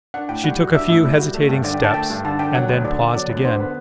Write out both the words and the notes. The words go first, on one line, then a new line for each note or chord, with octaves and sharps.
She took a few hesitating steps and then paused again.
D4 F#5
A2 G5
G3 F#5
F#4
D4 E5
A2 E5
G3
F#4
A3
G2
D3 D5
D4 G5
A5
A3 G5
G2
D3 A5
D4 G5
F#3 F#5
D2
D3 D5
B3
F#3 D5
D2
D3 C5
B3